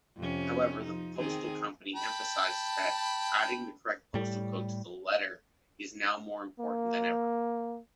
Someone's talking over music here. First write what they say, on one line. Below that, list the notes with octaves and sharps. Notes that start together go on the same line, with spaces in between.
However, the postal company emphasizes that adding the correct postal code to the letter is now more important than ever.
F2 C3 C#4
F3 D#4
D#3 C4 G#4
G5 A5 B5
A2 G3
A#3